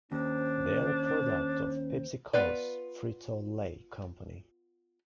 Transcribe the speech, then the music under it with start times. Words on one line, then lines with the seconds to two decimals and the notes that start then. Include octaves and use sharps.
They are a product of PepsiCo's Frito-Lay company.
0.12 D#2 C#4 D4 C5
2.33 B3 F4 B4 D5